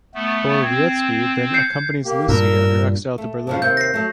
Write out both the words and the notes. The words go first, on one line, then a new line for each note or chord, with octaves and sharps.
Borowiecki then accompanies Lucy on her exile to Berlin.
A3 B3
C4 G#6
G6 C7 C#7
A#3 G4
G2 A#2 A#4 E6
A3
C#3 F3 D4
D#2 C3 A#3 G6
A#6 C7
F#3 A3